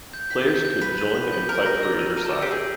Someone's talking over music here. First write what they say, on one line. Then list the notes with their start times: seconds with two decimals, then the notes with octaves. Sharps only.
Players could join and fight for either side.
0.13 G6
0.30 B6
0.48 G6
0.65 G6
0.81 B4 B6
0.98 D#7
1.15 B6
1.32 G6
1.49 A#4 G6
1.66 A#6
1.83 E6
2.00 D#7
2.17 A#4 D#7
2.26 A4
2.34 E6
2.42 G4
2.51 G#4 G6